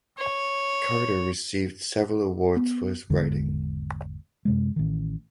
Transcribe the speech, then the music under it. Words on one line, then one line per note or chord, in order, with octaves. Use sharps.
Carter received several awards for his writing.
C#5
B3
G#1 E2 D3 G#3
F#2 C3 G#3
A1 D#3